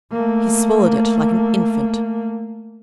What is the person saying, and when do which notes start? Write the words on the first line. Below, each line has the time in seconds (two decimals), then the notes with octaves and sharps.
He swallowed it like an infant.
0.12 A3 A#3